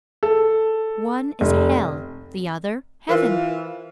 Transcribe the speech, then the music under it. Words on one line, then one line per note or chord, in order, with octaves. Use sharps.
One is Hell--the other Heaven.
A4
F1
E3 F4 A#4 C5